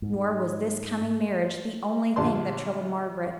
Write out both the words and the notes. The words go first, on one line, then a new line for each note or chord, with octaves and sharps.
Nor was this coming marriage the only thing that troubled Margaret.
G#2
A#1 D3 G3 D5 A5 C6